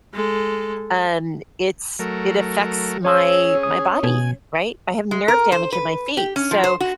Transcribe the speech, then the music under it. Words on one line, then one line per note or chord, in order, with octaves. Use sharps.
um, it's it affects my, my body, right? I have nerve damage in my feet, so,
G#3 A4
F#3 A3 A#4
C#4 G#4 C#5 E6
D#6
B2 G#5
G#3
A#4
C5
B4
G4
C#4
F3
C5
F#4